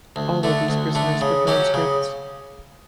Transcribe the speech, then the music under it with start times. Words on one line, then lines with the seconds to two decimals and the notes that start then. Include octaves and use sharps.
All of these prisoners were conscripts.
0.16 D2
0.43 D3 A3
0.69 D2
0.95 D3 A3
1.21 C#3
1.47 F#3 C#4 G4
1.74 C#3